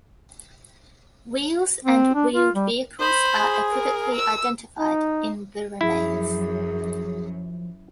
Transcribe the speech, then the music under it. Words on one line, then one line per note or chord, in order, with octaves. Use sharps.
Wheels and wheeled vehicles are equivocally identified in the remains.
C4
D4
F4
G3
C5 B5
G#4
A#4
E6
D#4
F#2 F3 E4 G#4